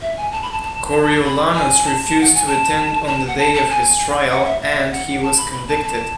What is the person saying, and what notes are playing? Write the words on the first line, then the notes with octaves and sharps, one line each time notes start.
Coriolanus refused to attend on the day of his trial, and he was convicted.
E5
G#5
A5
B5
A5
A5
B5
G#5
A5
F#5
G#5
A5
A5
F#5
A5
A5
G#5
F#5
E5
E5
F#5
A5
B5
B5
A5
A5